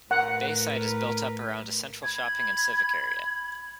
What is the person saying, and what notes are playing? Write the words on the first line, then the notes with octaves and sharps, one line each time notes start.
Bayside is built up around a central shopping and civic area.
A2 A#4 B4 F#5
B5 G#6